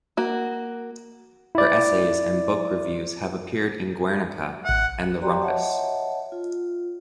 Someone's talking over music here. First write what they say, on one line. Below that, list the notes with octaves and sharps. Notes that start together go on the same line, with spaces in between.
Her essays and book reviews have appeared in Guernica and The Rumpus.
A#3 F#4
E4 D5
A1 E5 F#5
F#4 G4 D5 G5 A#5 C6
C#5 D#5 E5 F#5 A5
F4